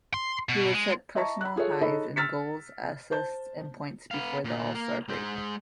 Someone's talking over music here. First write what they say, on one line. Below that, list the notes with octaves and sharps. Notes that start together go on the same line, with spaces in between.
He would set personal highs in goals, assists and points before the All-Star Break.
C6
B2
G#3
D#5 E5 A5 A#5 C#6
B5 F#6
F4 G#4 A4 C#5
D#4 G#4 A4 C#5 D#5 B5
E6 F6 A6 B6 C#7
C5 A5 G6
B3 F5
A#2 A#3
A#3
G#3 C5